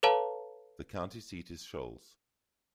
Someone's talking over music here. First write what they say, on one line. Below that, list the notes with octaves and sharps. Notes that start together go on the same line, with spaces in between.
The county seat is Shoals.
A4 B4 C#5 F5 A5 A#5